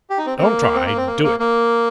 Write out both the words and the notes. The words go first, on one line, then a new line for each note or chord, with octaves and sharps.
"Don't try--do it."
G4
D#4
C4
C4
A#3
C4
A#3
C4
A#3
A#3
A#3